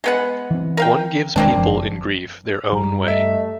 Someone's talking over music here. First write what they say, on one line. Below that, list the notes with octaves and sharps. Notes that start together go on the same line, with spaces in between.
One gives people in grief their own way.
G#3 B3 F#5
E3 C4
A#4 F5 G5
E1 D#3 G#3 A#3 C4 D4
F#1 B2 F3
G2 G3 A#5
A3 D#5 E5